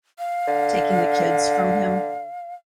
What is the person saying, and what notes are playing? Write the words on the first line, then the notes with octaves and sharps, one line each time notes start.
taking the kids from him.
F5
D3